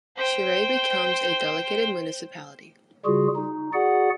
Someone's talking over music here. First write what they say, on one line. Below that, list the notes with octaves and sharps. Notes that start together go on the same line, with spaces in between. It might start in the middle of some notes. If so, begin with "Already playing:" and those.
Cherré becomes a delegated municipality.
C5 G5
C#3 G3 F4 F#4 G#4
D#4
F#4 G#4 D5 F#5